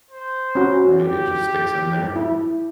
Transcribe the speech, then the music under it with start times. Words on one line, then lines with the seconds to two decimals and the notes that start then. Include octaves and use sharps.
right? It just sticks in there?
0.11 C5
0.55 C#4 F#4
0.98 G4
2.16 E4